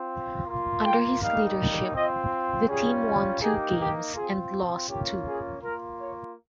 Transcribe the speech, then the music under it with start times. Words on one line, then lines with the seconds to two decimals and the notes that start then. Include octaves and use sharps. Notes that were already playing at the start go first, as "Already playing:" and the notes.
Under his leadership, the team won two games and lost two.
Already playing: C4 F4
0.46 A#3 F4
0.84 G5
1.20 G3 A#3 D#4 F5
1.93 C4 F4 D#5
2.68 G3 C#4 F4 G#4
3.41 A#3 D#4 G4 G#4
3.78 G4
4.15 C4 F4 G#4
4.88 A#3 C#4 F4 G4
5.26 G#4
5.62 A#3 F4 A#4
5.99 C#5